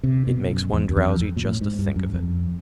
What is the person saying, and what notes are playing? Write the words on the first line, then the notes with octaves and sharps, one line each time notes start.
It makes one drowsy just to think of it!
C3
B2
F#2
E2
E2
F2
F2
A#2
A2
G#2
G2
F#2
F2